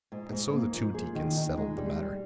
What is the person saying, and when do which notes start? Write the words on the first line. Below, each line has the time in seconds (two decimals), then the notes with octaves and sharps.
And so the two deacons settled the matter.
0.12 G#2
0.32 G#2
0.53 A#3
0.74 F3
0.95 G#4
1.15 D#3
1.37 D#4
1.57 G#3
1.77 G3
1.99 G3